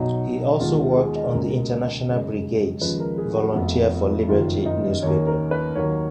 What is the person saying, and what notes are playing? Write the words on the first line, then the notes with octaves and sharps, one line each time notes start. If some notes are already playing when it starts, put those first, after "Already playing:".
He also worked on the International Brigades "Volunteer for Liberty" newspaper.
Already playing: B1 B2 F#3 D#4
D#2 D#3 G#3 B3 F4
G#4
D#5
C#2 B2 A#3
F#2 C#3 G#3
D#2 C#3 F3 G#3 B4
A#4
G#4
F#4
F1 F2 F3 B3
F#1 F#2 D#3 F4
D#4
D#2 D#3 A#3 C#5
A#4
B4
D#2 D#3 F#3 A#3 C#5